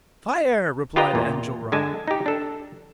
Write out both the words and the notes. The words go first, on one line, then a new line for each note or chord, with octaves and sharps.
"Fire!" replied Enjolras.
F4 G4 B4 D#5 G5 A#5
E2 A#2
D3 G#3 G#5 A5
D#4 G4
D4 A4